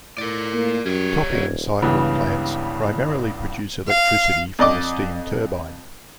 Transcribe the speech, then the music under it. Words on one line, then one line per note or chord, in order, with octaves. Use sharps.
Topping cycle plants primarily produce electricity from a steam turbine.
A2 A#4 D5
A#3
F#2 G3 C#5 G#6
D#1
C#2 G2 C#3 E3 B3
F5
F2 D5 D#5 D6